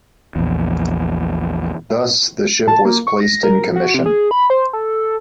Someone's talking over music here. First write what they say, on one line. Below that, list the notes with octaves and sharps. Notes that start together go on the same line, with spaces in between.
Thus, the ship was placed in commission.
A#1 E2
A5
A#3
C#6
A#6
A#4
F#4
C3
G#4
B5
C5
A4